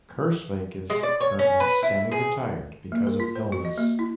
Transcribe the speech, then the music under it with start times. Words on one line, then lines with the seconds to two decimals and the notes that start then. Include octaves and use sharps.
Kerslake is currently semi-retired because of illness.
0.90 G#3
1.03 D5
1.21 C#5
1.39 C#4
1.60 B4
1.83 E4
2.12 G#4
2.92 A#3
3.07 A#4
3.20 F4
3.36 C5
3.52 F#4
3.65 D#5
3.78 A#3
3.99 E4